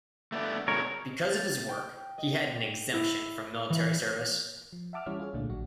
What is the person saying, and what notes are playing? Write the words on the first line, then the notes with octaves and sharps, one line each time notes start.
Because of his work, he had an exemption from military service.
A3 B3 D4
B2 D3 G#3 A#4 C#5
A6
G5
D#5
E4
E3
F3
E5 F#5 A5 D6 E6 F6
E3 G3 C#4 E4 C#5 F6
F4 G#4 C#5
C2 A#2 D3 A3 D4
A1 F#3 F#4